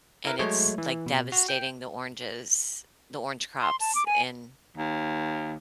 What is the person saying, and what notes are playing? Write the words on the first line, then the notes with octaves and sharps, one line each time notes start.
and it's, like, devastating the oranges, the orange crops, in
E4 A#4 B4
F#3 G#3 A3 C#5
E3
B2
F#4
G5
C6
A5
D6
G#5
D#2